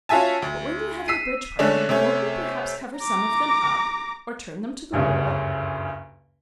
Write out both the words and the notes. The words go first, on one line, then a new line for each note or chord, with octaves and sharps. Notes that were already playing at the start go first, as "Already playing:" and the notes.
But when you have your bridge-party, won't you perhaps cover some of them up, or turn them to the wall?
C#4 F4 F#4 E5 G#5 A5
D2
E6 B6 C7 D#7
D3 G#3 A3 C#4 D4
C3 A3 C#4
A#5 D6
F#1 D2 G2 C#3